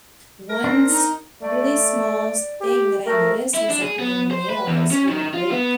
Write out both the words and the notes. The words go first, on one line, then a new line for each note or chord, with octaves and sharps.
one s really smallest thing that I noticed was, like, my nails wouldn't break
A#4
C4 D4
D#4
A3 D5
G4
A3 A#4
E4
D4
G#4
B3
C5
B4
E2
C#4
D#3
F4
B3